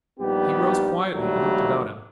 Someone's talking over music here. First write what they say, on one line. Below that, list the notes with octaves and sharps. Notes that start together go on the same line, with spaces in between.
He rose quietly and looked about him.
A#1 G3 B3 D#4 G4
A#1 D#2 F#3 G3 A3